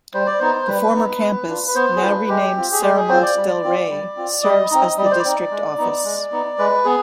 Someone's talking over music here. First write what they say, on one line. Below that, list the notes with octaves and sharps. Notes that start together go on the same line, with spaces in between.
The former campus, now renamed Serramonte Del Rey, serves as the district office.
G3 C5
D5
B3 D#4 C5
G3 B4
B3 D#4
B3
D4 F4
B4
B3 C5
G#4
D4 F4 B4
G#3 G4
C4 F4
G#4
G#3 G4
G#4
C4 F4 C5
D5
G3
C4 F4
G3
C4 F4
G3 D#5
C4 D#4 D#5
G3 D#5
D5
C5
D5
C4 D#4
G#3
B3 D#4
G#3
B3 D#4
G#3 B4
B3 G#4